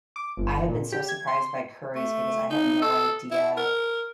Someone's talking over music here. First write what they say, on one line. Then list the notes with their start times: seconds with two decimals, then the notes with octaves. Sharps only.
I have been so surprised by curries because I had no idea
0.16 D6
0.37 G1
0.68 A#2
0.92 G4
1.08 G#6
1.27 C6
1.95 A3
2.50 D#4
2.82 A4
3.31 E4
3.57 A#4